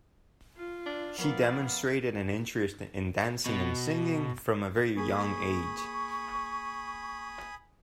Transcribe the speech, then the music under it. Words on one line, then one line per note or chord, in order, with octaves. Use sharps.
She demonstrated an interest in dancing and singing from a very young age.
F4
D4
F3 B3 A#4 D5 F5 A#5
B2
A#3 G#4 G#5 B5 C#6 D#6